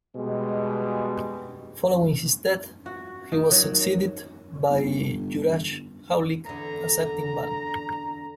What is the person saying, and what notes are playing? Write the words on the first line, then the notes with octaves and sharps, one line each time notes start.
Following his death he was succeeded by Juraj Haulik as acting ban.
B2 G3 G#3
F#4
D#3
F#3
G1
E2 D3 A#5